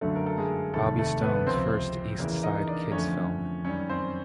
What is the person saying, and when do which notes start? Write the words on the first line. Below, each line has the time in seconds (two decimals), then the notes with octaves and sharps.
Bobby Stone's first East Side Kids film.
0.01 G1 F#2 D3 F#3 A3 A4
0.15 A#4
0.26 A4
0.38 G#3 G#4
0.74 F1 D#2 D#3 A3 A4
0.98 A3 A4
1.22 B3 B4
1.46 C#2 C3 F3 C4 C5
2.19 E2 C#3 E3 A#3 A#4
2.43 D#4 D#5
2.67 D4 D5
2.92 F2 D3 F3 A3 C#4 C#5
3.65 F#2 D#3 G3 C#4 C#5
3.89 C4 C5